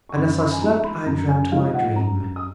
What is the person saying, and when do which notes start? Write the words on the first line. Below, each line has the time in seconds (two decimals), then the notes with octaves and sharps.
And as I slept I dreamed my dream.
0.09 C#6
0.16 F#2 B5
0.39 B5
0.51 G#5
0.61 F3 G#3 D#4 A#5
0.84 B5
1.06 F#2 A#5
1.28 G#5
1.52 F3 G#3 D#4 F5
1.74 F#5
1.96 F#2 A#5
2.36 D#6